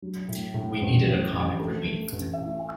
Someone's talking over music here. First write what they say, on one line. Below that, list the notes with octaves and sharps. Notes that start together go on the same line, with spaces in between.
We needed a comic relief.
F#3
A2
A2
A1
A2
A1
A3
A3
A1
A2